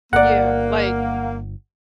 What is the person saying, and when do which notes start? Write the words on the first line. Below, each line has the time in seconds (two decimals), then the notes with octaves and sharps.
Yeah, like
0.13 G1 A#3 A#4 D5 F#5